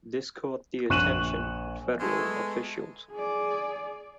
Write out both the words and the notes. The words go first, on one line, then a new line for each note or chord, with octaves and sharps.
This caught the attention of federal officials.
A#1 C#6 F#6 D#7 E7 F#7
G#3 A3 B3
G#4 D5